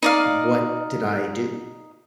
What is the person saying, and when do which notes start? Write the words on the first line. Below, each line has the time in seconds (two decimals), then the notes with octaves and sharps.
what did I do?
0.03 D#4 D5 F5